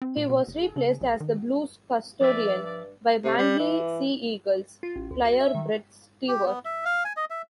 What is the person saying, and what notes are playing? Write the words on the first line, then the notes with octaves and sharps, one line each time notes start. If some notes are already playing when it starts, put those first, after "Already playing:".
He was replaced as the Blues custodian by Manly Sea Eagles flyer Brett Stewart.
C4
A#2
B2
F#1
C#3
B1
D#3
G2 F3 D5 E5
C3
G3
E3
F4
A1
D2
F#4
E5
D#3
G4
B3
E5
F5
G#5
D#5
E5